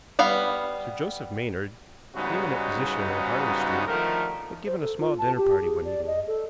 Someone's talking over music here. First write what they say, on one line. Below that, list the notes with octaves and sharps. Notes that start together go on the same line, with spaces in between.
Sir Joseph Maynard, the eminent physician of Harley Street, had given a small dinner party one evening.
G3 B3 F5
G#2 C#3 G3 B3 D#4 F#4
D3 D#3 F3 A3 A#4
C5
A4
F4
A5
G4
G#4
D5
D#5
A4